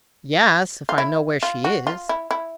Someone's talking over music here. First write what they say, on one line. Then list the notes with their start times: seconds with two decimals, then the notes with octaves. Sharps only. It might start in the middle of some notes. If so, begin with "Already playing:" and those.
"Yes, if I know where she is!"
0.89 F4
0.98 E4
1.43 F4
1.64 F#4
1.87 F4
2.09 E4
2.31 E4